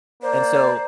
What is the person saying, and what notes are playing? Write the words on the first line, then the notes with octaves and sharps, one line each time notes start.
And so,
A#3 C5 D5